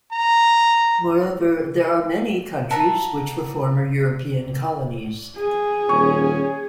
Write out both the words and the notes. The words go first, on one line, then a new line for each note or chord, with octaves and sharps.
Moreover, there are many countries which were former European colonies.
A#5
A#4 E5 F#5 A5
G#4
D#1 C#4 C#5